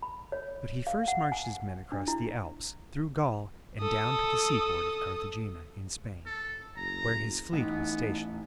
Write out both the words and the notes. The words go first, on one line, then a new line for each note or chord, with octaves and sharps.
But he first marched his men across the Alps, through Gaul, and down to the seaport of Carthagena in Spain, where his fleet was stationed.
B5
C#5
F5
F#5
G#5
D4
E4
A4 D#6
A4
F#1 A#5
A1 B3 D#4